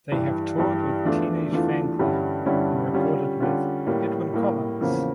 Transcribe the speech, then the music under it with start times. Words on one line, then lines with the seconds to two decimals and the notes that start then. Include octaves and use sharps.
They have toured with Teenage Fanclub and recorded with Edwyn Collins.
0.12 G2 E3 G3
0.58 G2 E3 G3
1.05 E2 E3 A3 D4 F4
1.52 E2 E3 A3 D4 F4
1.99 G2 D3 G3 C#4 E4
2.46 G2 D3 G3 C#4 E4
2.93 D3 G3 C#4 F4
3.40 D3 G3 C#4 F4
3.87 A2 G3 A#3
4.33 A2 G3 A#3
4.81 E2 C#3 F3 A#3